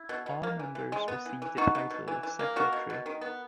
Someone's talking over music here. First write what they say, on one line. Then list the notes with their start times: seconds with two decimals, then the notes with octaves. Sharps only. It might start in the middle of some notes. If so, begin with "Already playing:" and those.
All members receive the title of "Secretary".
Already playing: E4
0.09 B2
0.26 B2
0.43 A#3
0.59 E3
0.75 E3
0.92 G#3
1.08 B3
1.25 E3
1.42 E3
1.57 B2 D#4 F#4
1.75 B2
1.90 B2
2.08 E3
2.23 E3
2.39 A#3
2.56 B2 F#4 A#4
2.72 B2
2.90 B2
3.06 D#3
3.21 B3